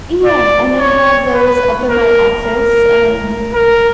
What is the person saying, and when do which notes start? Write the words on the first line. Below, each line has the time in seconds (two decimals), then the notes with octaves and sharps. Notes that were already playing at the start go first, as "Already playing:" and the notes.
Yeah, and I have those up in my office, um,
0.25 D5
0.79 C#5
1.34 B4
1.89 A#4
2.43 A#4
3.54 A#4